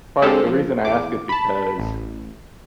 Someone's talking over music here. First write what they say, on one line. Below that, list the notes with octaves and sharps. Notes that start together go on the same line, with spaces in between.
Part the reason I ask is because
D3 G#3 C4 G4 A4
F3
E2 D6
A5 B5
A1